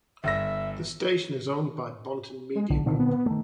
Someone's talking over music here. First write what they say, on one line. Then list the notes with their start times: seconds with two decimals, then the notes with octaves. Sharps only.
The station is owned by Bonten Media Group.
0.24 G1 E5 A#6
2.55 G#3
2.70 B1 D3
2.86 A#2 D3 D#3 C4
2.99 B3
3.26 D#3 A3